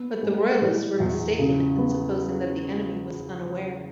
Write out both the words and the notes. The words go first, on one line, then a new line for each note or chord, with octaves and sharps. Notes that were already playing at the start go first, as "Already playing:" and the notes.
But the Royalists were mistaken in supposing that the enemy was unaware.
Already playing: B3
G#3
E3
E2
C#3
B3